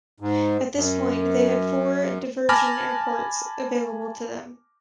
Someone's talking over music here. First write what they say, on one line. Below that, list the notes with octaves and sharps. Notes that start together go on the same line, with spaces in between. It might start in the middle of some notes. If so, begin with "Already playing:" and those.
At this point they had four diversion airports available to them.
G#2
F#2
G#5 A5 B5 D6 F6 A#6